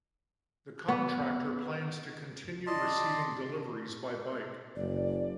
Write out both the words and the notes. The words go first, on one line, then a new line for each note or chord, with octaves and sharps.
The contractor plans to continue receiving deliveries by bike.
B3
D5 D#5 A5 C6
F#1 D5